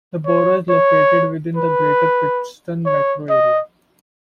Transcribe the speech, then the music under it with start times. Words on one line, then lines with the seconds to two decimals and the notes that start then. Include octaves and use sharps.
The borough is located within the Greater Pittston metro area.
0.26 C#5
0.69 C#5
1.56 B4
2.86 C#5
3.30 D#5